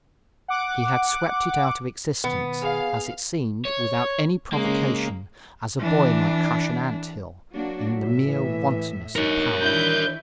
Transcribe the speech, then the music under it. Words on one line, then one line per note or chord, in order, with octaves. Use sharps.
He had swept it out of existence, as it seemed, without any provocation, as a boy might crush an ant hill, in the mere wantonness of power.
F#5 D6
B2 D#3 B3
G#4 F5
C#5
C#3 G#3 A#3
E3 D4
F#3 A#3 D4 F#4
A2 E5
E3
D#4 A#4 C#5
D#3 E3 D4 E4 G6